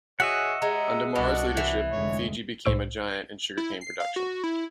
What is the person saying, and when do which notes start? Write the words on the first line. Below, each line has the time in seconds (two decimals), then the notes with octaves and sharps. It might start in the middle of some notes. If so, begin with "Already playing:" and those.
Under Mara's leadership, Fiji became a giant in sugarcane production.
0.20 F#4 G#4 C#5 D#5 E5 F#5
0.62 G#3 A#5 E6
1.16 C2 B2 D4 F#4
1.57 E3
1.92 F1 D2 G#3 C#5
2.65 C2 A2 C5 C#6 E6 D7
3.57 E4
3.81 C7
4.00 F5
4.16 F#4
4.44 E4